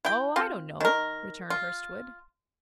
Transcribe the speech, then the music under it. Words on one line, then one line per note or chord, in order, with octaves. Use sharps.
"Oh, I don't know," returned Hurstwood.
E4 G5
C4 F4
D#3 A#4
F4